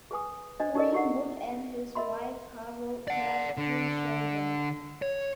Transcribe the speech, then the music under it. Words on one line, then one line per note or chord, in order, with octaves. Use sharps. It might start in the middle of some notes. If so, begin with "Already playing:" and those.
Greenwood and his wife Caro have three children.
G#4 B4 G#5 D#6
D4 C5 D#5
D#4 G4 A4 A#4 D5 D#5
E4 G4 F#5
A#4 D#5 E5 B5 C6
D5 F#5
D3
C#5